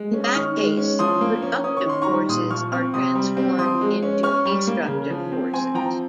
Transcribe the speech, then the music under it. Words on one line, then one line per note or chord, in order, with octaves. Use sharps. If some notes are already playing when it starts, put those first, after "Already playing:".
In that case, productive forces are transformed into destructive forces.
Already playing: G#3
C#4
D#6
D#3 C#6 F6
G#3
C#4
F3 C6 D#6
A#3
C#4
C#4 D#6
C#6
D#3 C6
A#5 C#6
G3
A#2 C6 D#6
F3 C#6 F6
C4 C#6 F6
C3 C6 D#6
G3
C4
F3 C6 D#6
G#3
C#4
C#4 C#6 F6
G3
A#3
C#3
F3
C4
C4 G#5 C6
F3 G5 A#5